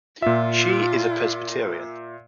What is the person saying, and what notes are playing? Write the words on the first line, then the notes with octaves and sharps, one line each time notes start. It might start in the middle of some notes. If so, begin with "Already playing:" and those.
She is a Presbyterian.
A#2 F4 E5